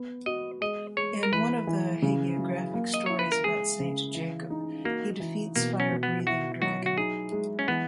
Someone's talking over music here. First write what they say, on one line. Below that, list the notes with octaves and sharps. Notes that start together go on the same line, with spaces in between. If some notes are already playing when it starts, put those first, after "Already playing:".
In one of the hagiographic stories about Saint Jacob he defeats fire-breathing dragon.
Already playing: B3
F#4 D#5
G#3 D#5
G#3 C#5
A#4
E3 B4
E3
C#3
F#3
A#3
D#5
E4 C#5
B4
A#4
G#3 G#4
C#3
E3
D#4
A#3 F#4
E3
B2 A#3
C#4
B2
B3
E4 F#4
F#3 F#4
F#4
D#4 G#4
G#3
C#4
E3 B3